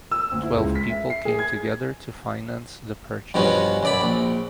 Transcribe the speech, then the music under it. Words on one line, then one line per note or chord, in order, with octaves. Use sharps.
Twelve people came together to finance the purchase.
E6
D2
E4
C#2
B6
E5
C7
G#4
G#6
G2 B2 F3 B3 C#4
F#2 D5 B5
A#1